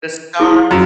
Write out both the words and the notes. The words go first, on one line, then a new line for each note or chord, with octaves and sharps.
The star
E4 G#4
F#2 F5